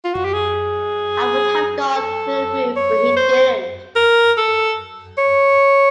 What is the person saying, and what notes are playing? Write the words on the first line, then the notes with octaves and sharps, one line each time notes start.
I would have gone through the roof but he didn't.
F4
F#4
G4
G#4
A4
C#5
C5
A#4
A4
C#5